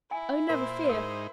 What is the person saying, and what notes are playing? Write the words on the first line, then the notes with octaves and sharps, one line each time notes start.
'Oh! never fear!
E4 G#5
A#2 A#4 C5
G#2 D#4 A#4